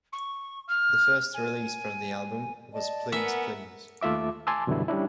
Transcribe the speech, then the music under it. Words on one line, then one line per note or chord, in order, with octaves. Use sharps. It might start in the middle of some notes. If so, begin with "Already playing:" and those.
The first release from the album was "Please Please".
C#6
F6
G#5
D5 D#5 A5
B3 A#4 E5 F#5 G#5
D#2 A3 F4 E5 D6
G#5 A5 C6 D6 E6
F#2 B2 D3 E3 G3 E4
G3 C#4 D4 E4